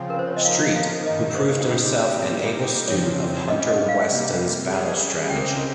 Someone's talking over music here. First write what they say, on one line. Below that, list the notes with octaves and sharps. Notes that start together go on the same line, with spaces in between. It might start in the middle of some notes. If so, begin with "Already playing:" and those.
Street, who proved himself an able student of Hunter-Weston's battle strategy.
Already playing: C#3 F3 C4 F4
A#4
C5
C#5
D#5
F3 A#3 D#4 A#4 F5
F5
G2 D#3 A#3 D#4 D#5
A#4
C5
C#3 G3 C4 D#4 G4
A#2 G3 A#3 D#4 G4
F2 C#3 F3 C4 C#5
G#2 G3 C#4 D#5
D#5
F5
C3 G3 A#3
G3 C#4 G#4
C#3 G#3 C4 G4 A#4 G5